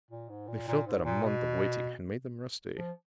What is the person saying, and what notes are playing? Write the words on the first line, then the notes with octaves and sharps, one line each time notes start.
They felt that a month of waiting had made them rusty.
A#2
G#2
A#2
A#2
G#2
A#2
B2
F3